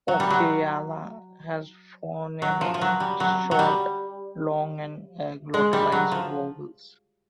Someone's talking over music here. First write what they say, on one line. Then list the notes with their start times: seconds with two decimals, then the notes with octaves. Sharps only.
Oowekyala has phonemic short, long, and glottalized vowels.
0.08 F#3
0.20 G3
0.30 F#3
2.42 F#3
2.61 F3
2.74 F3
2.81 F#3
3.00 G3
3.20 F#3
3.51 F#3
3.59 G3
5.54 G#3
5.73 G3
5.92 F#3
6.11 F3